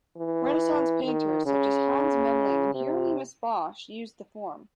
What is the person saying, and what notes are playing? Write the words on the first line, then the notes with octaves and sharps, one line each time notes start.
Renaissance painters such as Hans Memling and Hieronymus Bosch used the form.
E3
D#3
C#3
C3